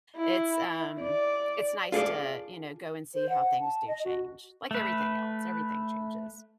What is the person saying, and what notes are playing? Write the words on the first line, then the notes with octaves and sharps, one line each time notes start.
it's, um, it's nice to, you know, go and see how things do change, like everything else, everything changes.
E4
D5
F4 G#4 A4 D5
C5
F#5
A5
D#5
F#4
A3 B4